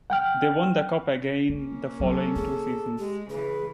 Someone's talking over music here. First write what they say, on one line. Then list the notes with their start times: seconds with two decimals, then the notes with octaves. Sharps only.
They won the cup again the following two seasons.
0.10 F#5 G5 F6
1.49 A#3 C#4 D4
2.00 F#3 D4 A4
2.36 A3 G#4
2.98 G#3 G4
3.30 C#3 E3 G#4 B4